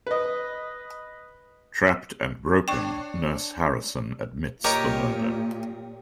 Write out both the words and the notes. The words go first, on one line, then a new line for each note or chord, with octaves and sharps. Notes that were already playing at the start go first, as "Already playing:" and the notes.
Trapped and broken, Nurse Harrison admits the murder.
B4 D#5
D4 C#5 G5 C#6
A#2 G4 A#4 C#5 D#5